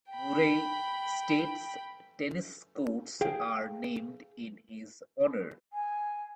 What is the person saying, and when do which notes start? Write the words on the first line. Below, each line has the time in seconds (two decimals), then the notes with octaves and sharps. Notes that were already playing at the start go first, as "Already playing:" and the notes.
Murray State's tennis courts are named in his honor.
0.11 G5 B5
3.21 G#4 F5 G5
5.73 G#5